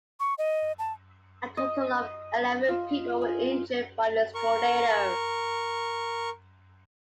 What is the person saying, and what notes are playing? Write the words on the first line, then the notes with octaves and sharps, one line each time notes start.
A total of eleven people were injured by this tornado.
C#6
D#5
A5
D#5
F4
G#5
A#4 C#6